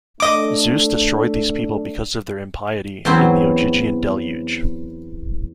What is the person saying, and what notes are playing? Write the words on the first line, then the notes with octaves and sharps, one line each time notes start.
Zeus destroyed these people because of their impiety, in the Ogygian Deluge.
A3 D4 D#5 D6
E2 F#3 C4 C#4 E4 C5